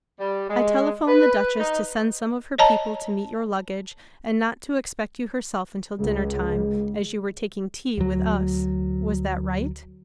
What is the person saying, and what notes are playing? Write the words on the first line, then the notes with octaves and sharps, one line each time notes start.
I telephoned the duchess to send some of her people to meet your luggage, and not to expect you herself until dinner time, as you were taking tea with us. Was that right?
G3
G#3
B4
D#4
C#5 D#5 A5 A#5
C#2 G#3
D2 F#3